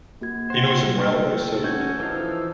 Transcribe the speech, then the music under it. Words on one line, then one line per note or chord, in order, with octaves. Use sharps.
He knows him well by sight.
A#3 F#4 G#6
C4 C5 F#5
D2 A4 G5
C#4 F#4 G6 G#6
E3 F3 D#4 A4 F5